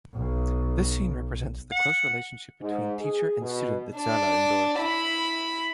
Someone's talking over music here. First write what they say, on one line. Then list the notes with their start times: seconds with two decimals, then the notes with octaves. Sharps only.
The scene represents the close relationship between teacher and student that Zahle endorsed.
0.15 B1
1.72 F#5
2.61 G#2
3.00 G#4
3.41 B2
3.98 D4 D5
4.78 E4 B5